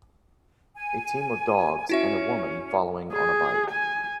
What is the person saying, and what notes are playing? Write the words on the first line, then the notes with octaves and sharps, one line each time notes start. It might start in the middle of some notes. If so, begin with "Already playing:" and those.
A team of dogs, and a woman following on a bike.
G#5
C#4 E4 F#4 E5
G#4
G#5